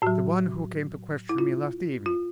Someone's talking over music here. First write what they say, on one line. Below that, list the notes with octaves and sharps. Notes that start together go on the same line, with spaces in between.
"The one who came to question me last evening."
A2 F#3 F#4
E4
F4
F4